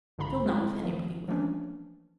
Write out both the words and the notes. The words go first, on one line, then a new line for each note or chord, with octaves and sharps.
She'll know if anybody will.
B1 G#2 D3 F4 A#5 B5
G#3 A3 C4 E4 F4
D#3 F3 A3 B3
E3 F3 A3 A#3 C#4 D4